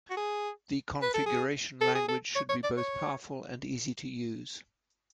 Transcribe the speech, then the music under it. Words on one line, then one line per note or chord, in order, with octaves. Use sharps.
The configuration language should be both powerful and easy to use.
F#4
G#4
B4
A4
G#4
A4
G#4
A4
C#5
C#5
D5
C#5